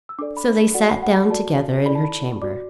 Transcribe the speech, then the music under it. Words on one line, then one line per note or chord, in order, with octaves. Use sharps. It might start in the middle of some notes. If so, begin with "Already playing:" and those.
So they sat down together in her chamber.
E6
D4 A4 D5 D6
B5
F#4 A4 D5 F#5
B5
F#5
A5
B5
F#4 A4 D5 A5
E4 A4 D5 B5
A5
B5
F#4 D5 D6